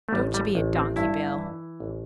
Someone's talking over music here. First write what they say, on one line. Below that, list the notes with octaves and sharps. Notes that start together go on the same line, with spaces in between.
Don't you be a donkey, Bill.
A3
A1 G3
G3
A1
C4
G2 E4
E3
A1